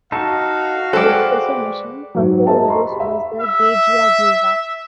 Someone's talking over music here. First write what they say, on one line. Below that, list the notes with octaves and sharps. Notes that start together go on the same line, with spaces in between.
The first espresso machine for home use was the Gaggia Gilda.
D#4 F#4 A4 F5
G#3 A4 B4 C5 D5 G5
G#2 F#3
G#4 A#4 C5 D#5 E5 A5
A#5 C6 C#6
G4 B5
E5
E5